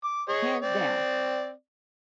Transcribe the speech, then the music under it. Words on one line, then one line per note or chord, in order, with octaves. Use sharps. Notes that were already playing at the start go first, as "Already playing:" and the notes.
hands down,
D6
G#4 C#5 D#5
C4 D5